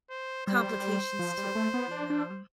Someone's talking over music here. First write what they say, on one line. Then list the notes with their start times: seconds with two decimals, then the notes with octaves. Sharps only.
complications to it, you know?
0.10 C5
0.47 G3 C5
1.19 F3
1.38 G3
1.55 A3
1.74 B3
1.91 D4
2.10 D4